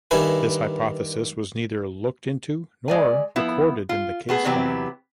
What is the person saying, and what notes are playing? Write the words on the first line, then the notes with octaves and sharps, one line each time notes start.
This hypothesis was neither looked into nor recorded in the case file.
G2 D#3 E4 B4 G#5
G#3 D5 G#5
F3 B3 E4
F4
A3 B3 G#4
C3 E3 F#3 B3 C4 G4